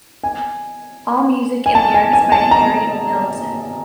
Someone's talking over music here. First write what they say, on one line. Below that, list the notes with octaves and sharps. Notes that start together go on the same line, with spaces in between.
All music and lyrics by Harry Nilsson.
G#5
G#5
A5
G#5
G#5
A5
A#5